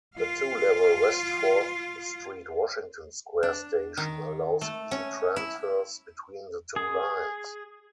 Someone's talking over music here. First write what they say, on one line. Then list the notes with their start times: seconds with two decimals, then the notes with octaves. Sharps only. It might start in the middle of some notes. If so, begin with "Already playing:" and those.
The two-level West Fourth Street-Washington Square station allows easy transfers between the two lines.
0.16 F4 F5
3.43 D4
3.97 D#3
4.61 A3
4.91 C#4
5.36 E4
6.76 G#4